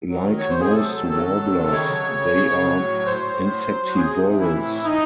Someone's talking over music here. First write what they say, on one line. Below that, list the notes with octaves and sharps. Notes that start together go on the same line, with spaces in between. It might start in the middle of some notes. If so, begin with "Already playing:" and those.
Like most warblers, they are insectivorous.
F#3
D#3
F#3 C#5
C3 C5
G#4
C3 A4
F#3
D#3
F#3
F#3
C3
D#3
C#3 C#5
F#3
C#3
C#3
C#3
C#3
F#3
A2
F#3
A2 C5
A2
A2
F#3
F#3
F#3
F#4
C3 G#4
C3
C3
E3 E4
A2
E3
E3 D#4